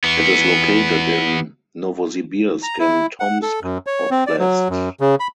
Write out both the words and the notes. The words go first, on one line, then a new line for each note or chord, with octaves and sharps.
It is located in Novosibirsk and Tomsk oblasts.
E3 B3
A#5
E4
F#5
A4
F#2
C#5
C4
D5
F#3
F#2
C#3
B5